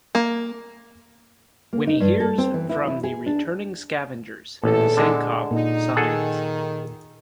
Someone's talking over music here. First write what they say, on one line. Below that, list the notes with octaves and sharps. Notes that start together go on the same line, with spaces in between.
When he hears from the returning Scavengers, Sankov signs.
A#3
A#3
D#4
G2
A4
C4
E3
E4
E4
G#4
D4
A1 E2 A#2 A4
D3 G#3
A#2 D#4
D#3 G#4 A4 F#5